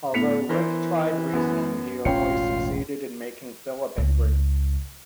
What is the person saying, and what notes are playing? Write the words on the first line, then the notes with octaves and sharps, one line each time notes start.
Although Rick tried reasoning, he only succeeded in making Phillip angry.
A2 B3 D4 B6 C#7 F7
E3 A#4 C5 D5
F#2 B3
E1 A1 C#4 F4 C#5 G5 C#7
C#2